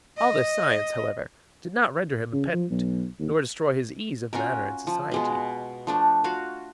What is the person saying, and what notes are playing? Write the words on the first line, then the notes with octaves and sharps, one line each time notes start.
All this science, however, did not render him a pedant, nor destroy his ease of manner in society.
D#5
C#3
F3
B1
D#2
C#4 F4 F#4 A#4
F3
B2 G#3 F4
F3 A3 D4
F4 F#4 F5